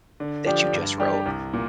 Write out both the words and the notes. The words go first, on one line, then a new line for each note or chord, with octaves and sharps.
that you just wrote.
D3
F3 D4 G4
G2
G3 D4 G4
C2
A#2